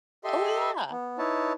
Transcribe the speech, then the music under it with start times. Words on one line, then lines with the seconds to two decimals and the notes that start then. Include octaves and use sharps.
Oh, yeah.
0.24 G4 A4 D#5 E5 C6
0.92 B3
1.18 D#4 E4 B4 C#5 A5